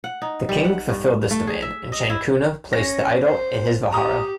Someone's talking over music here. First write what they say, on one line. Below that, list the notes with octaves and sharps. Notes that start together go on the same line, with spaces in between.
The king fulfilled this demand, and Chankuna placed the idol in his "vihara".
F#5
D#4
G3
F#5
G2
A3
G#4
E5
D#5
E4
C#4 A#6
C5
G4 A#5 D#6